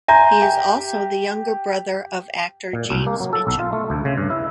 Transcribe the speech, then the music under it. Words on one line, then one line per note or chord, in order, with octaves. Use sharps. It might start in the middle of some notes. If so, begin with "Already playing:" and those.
He is also the younger brother of actor James Mitchum.
E5 G#5 A#5 C6 G6
G4
A#2
C2
A#3
F#3
A4
B1
F4
A3
D2
C#3
G2
E4